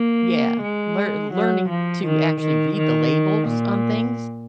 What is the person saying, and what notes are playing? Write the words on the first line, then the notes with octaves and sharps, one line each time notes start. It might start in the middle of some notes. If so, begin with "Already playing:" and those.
Yeah, lear learning to actually read the labels on things
Already playing: A#3
G#3
F#3
F3
D#3
D#3
D#3
A#2